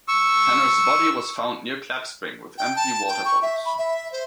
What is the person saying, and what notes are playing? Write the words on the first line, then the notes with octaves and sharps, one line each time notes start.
Tanner's body was found near Clapp Spring with empty water bottles.
C#6 E6
G5
A5
G5
C#6
E5
B5
E5
C5